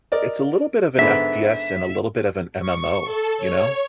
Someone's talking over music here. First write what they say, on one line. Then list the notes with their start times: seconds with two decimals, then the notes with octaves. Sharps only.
It's a little bit of an FPS and a little bit of an MMO, you know?
0.12 A#4 D5 D#5
0.99 G#2 D3 B3 E5
2.58 C#6
3.04 A4
3.38 C#5